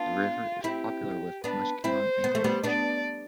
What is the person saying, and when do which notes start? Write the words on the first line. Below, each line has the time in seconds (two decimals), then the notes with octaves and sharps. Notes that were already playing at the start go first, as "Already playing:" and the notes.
The river is popular with muskellunge anglers.
Already playing: B3 D4 F4
0.64 C4 E4 G4
1.44 B3 D4 B4
1.84 C4 E4 C5
2.24 B3
2.35 A3
2.44 G3 B3
2.64 B3 D4 D5